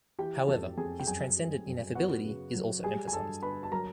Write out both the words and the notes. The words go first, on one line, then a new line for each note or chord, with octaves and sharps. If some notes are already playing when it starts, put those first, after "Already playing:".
However, his transcendent ineffability is also emphasized.
E3 G4 G5
F2 A4 A5
F2 G#4 G#5
G5
F#2 G#4 G#5
G3
F#2
B3 F#4 F#5
C#3
F#3
G3 G#4 G#5
G#5
G2 A4 A5
D3 B4 B5
A5
F#3 A#4 A#5